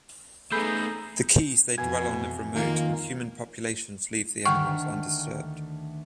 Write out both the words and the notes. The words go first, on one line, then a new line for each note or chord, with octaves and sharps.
The cays they dwell on are remote and human populations leave the animals undisturbed.
A3 B3 D#4 G#4 A4 B5 G6 C7
F2 B2 E3 G#5
D#3 A#3 F4
D2 D3 D#3 F#5 G5 C#6 F6